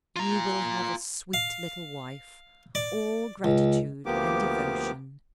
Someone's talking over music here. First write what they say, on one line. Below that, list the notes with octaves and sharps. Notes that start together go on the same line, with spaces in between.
You will have a sweet little wife; all gratitude and devotion.
F4 A#5
F5
D5
C#2
D2 F3 A#3 B3 G4 D6